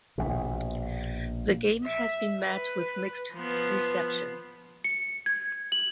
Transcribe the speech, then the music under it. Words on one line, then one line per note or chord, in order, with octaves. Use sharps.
The game has been met with mixed reception.
A#1 B2
E5
B4
F3 B3
C#7
G#6
F#7